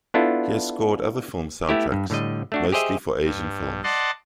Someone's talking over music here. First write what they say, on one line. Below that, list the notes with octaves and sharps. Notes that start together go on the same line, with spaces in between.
He has scored other film soundtracks, mostly for Asian films.
B3 D4 E4 F4 A4
A3 B3 E4 G4
G2
A2 D3 G3 D#5
A3 D4 F#4
G4 G#4 C5 D#5 E5
G2
D5 D#5 F#5 A5 C6